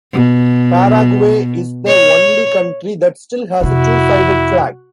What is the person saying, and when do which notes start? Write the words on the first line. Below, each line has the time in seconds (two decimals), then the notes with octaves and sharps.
Paraguay is the only country that still has a two-sided flag.
0.13 B2
1.87 C#5
3.61 F2 C3 E4 F#4